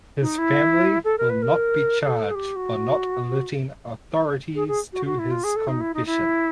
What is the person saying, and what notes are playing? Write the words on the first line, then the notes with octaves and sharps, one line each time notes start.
His family will not be charged for not alerting authorities to his confession.
D#4
E4
A4
A#4
B4
A#4
A4
G#4
G4
F#4
G#4
G#4
F#4
F#4
E4
F4
G#4
A4
D#4
E4
D#4
E4